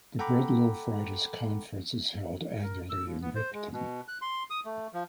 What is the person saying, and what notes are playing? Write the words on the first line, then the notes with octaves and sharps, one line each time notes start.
The Bread Loaf Writers' Conference is held annually in Ripton.
A4 F#5 G5 A#5 B5 D6
A#4
E6
D#2
B3
C5
G#3
B2
F#6
C6
D#6
A3
F3